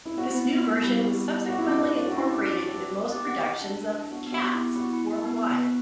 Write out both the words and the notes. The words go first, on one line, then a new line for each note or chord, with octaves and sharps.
This new version was subsequently incorporated into most productions of "Cats" worldwide.
E4
B3 F#4
E4
B3
B3
G3 E4
B3
B3
E4
F#4 G4
E4
D4 G4
E4 B4
D5
F#4
C#4 E4
G4
D5
G4
B4
B4
G4
F#5
B4
D4
D4
D4
B3 F#4
B3
F#4
G4
E4
B3
E4 F#4
E4
E4
B3
B3
B4